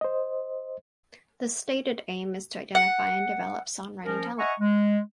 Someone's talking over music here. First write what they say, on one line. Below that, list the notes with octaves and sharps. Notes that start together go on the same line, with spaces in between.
The stated aim is to identify and develop songwriting talent.
C5 D#5
F#5
F3 C#4 A#4
D#5 E5 F#5 G#5 A#5 C#6
G#3